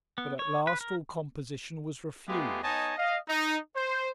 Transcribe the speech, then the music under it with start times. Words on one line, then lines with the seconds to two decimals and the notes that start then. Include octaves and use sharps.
But at last all composition was refused.
0.18 B3
0.39 C#5
0.67 B4
0.81 A#4
2.28 G#3 A3 B3 F4 G4 G#4
2.62 B3 D#4 C#5 D#5 G#5 A5
2.97 D#5 F5
3.28 D#4
3.76 C5